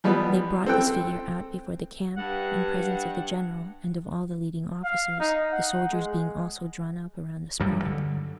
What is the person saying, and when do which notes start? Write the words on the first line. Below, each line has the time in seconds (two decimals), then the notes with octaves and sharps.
They brought this figure out before the camp, in presence of the general and of all the leading officers, the soldiers being also drawn up around the spot.
0.04 E3 F3 G3 B3
0.66 C4 A4 G5
2.16 G2 F#5
4.84 F5
5.20 D#4
5.52 F#5
5.92 G#3
7.60 D2 G2 F#3 G3
7.85 D3